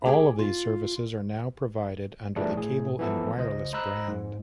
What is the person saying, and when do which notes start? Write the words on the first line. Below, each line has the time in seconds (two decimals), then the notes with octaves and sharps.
All of these services are now provided under the Cable and Wireless brand.
0.06 G4 G#4 G5
0.39 F4
2.36 E3 F3 G3 A3 D4 G#4
2.56 A2 G#4
2.99 E3 F3 B3 E4 A4
3.37 C#2 C5 D#5
3.73 C5 D#5 A#5 B5 E6 F#6
4.08 G#2